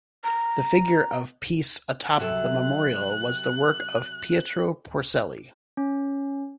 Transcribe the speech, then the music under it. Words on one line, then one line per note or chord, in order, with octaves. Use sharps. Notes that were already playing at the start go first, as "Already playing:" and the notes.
The figure of Peace atop the memorial was the work of Pietro Porcelli.
A#5
C3 F#3 A4 F#6
C#4